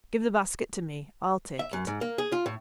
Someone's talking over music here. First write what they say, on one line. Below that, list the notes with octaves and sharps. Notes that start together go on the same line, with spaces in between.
'Give the basket to me,--I'll take it.'
E5
F#2
G#2
A#3
G#4
F4
A2